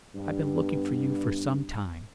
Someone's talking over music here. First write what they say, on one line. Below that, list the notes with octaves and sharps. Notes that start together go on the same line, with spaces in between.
I've been looking for you for some time.
G2 B3